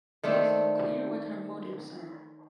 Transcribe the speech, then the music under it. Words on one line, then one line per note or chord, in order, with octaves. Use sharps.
It is unclear what her motives are.
D#3 A3 C4 D4